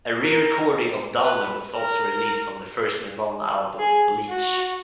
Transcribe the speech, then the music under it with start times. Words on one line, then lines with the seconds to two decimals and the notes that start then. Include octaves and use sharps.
A re-recording of "Downer" was also released on the first Nirvana album, "Bleach".
0.22 A#4
1.24 B4
1.75 A#4
3.79 G#4
4.29 F#4